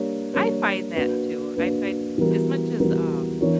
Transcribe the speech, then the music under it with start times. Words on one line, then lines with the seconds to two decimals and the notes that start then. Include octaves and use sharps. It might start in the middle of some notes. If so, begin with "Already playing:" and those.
I find that too. I find As much as, um,
Already playing: G3 A#3 D4 A#4 C#5
0.34 G3 A#3 D4 A#4 C#5
0.95 A#3 D4 F#4 B4
1.56 A#3 D4 F#4 B4
2.18 E3 G3 B3 F#4 A#4
2.80 E3 G3 B3 F#4 A#4
3.41 E3 B3 D4 A#4 C#5